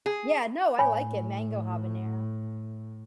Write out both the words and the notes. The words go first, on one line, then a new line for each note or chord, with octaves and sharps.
Yeah, no, I like it, Mango Habanero.
G#4
A2 C#5 G#5 B5